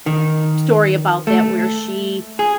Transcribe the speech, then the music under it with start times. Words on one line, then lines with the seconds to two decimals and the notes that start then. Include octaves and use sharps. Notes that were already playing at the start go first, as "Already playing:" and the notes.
story about that where she
0.06 D#3
1.27 A3
2.39 G#4